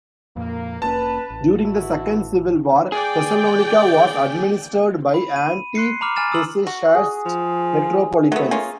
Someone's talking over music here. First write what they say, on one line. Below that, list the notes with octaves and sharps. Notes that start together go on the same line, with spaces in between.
During the second civil war Thessalonica was administered by anti-Hesychast metropolitans.
F2 A#2 A#3
F1 A#3 C#4 B4 A5
A1
E3 E4 F#4
G#4 D5 G5
B5
D#7
C6 F#6 C7 C#7
A#5 B5 D6 F6
G#5 F6 A6 E7
D#6 E6 F#7
F#4
G#4
F3
F#3 A3 B3
A#3 C#4 F4